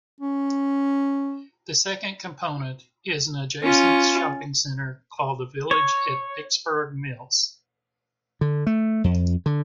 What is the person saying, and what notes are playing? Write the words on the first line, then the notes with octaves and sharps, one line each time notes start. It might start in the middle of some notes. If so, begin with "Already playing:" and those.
The second component is an adjacent shopping center called the Village at Pittsburgh Mills.
C#4
C#4 F4
C#5
D3
A3
F2
D3